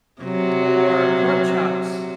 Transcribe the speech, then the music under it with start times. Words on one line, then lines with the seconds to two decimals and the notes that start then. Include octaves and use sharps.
or pork chops.
0.22 C3 F#3